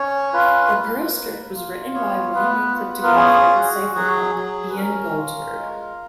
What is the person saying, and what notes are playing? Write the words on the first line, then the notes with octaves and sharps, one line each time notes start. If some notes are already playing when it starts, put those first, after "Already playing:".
The perl script was written by well known cryptographer and cypherpunk, Ian Goldberg.
Already playing: C#4 C#5
F4 B4
A#3
A#3
F4
B3 C#5
B3 B4
F4
A#4
C#4 G#4
F#4
F#3 G#4
F#3 G#4
B4
C#4 A#4
F4
G#3